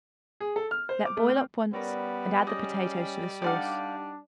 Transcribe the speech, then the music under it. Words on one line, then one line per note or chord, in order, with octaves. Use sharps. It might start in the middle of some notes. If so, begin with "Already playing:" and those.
Let boil up once and add the potatoes to the sauce.
G#4
A4
F6
C5
D6
A3
C4
G3 B3 C#4 A#4 D5
C#4 G4 G#4 D#5
D4 D#4 G4 A4 D5 F5 F#5